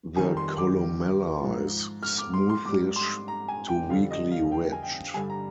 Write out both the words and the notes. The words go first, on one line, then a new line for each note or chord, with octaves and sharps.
The columella is smoothish to weakly ridged.
F2 D#3 G3 G#5
C6
D6
G#2 F3
F6
D6
C6
C6
G#2 G3 D6
C6
A#5
G#5
G5
F2 D3 G3 F5
D#5
F5
G5
G#5
G5
G2 D3 G3 G#5
A#5